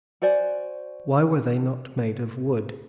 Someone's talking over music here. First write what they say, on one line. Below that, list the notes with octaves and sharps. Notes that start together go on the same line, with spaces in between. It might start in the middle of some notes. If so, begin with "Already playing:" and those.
Why were they not made of wood?
F#4 C5 D5 G#5